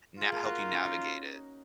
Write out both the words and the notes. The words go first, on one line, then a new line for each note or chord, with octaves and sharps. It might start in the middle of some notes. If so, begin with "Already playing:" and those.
na help you navigate it.
G#3 F4
A#3
F#4
D#4
C#4
D#4